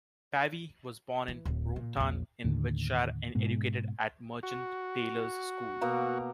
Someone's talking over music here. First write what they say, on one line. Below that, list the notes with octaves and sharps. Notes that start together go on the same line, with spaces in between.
Pavy was born in Wroughton in Wiltshire and educated at Merchant Taylors' School.
E3
D1 A2
A#2
A#1 E2
D#2 A2 D3
G#2 B2
F#4
B2 A#3 A#5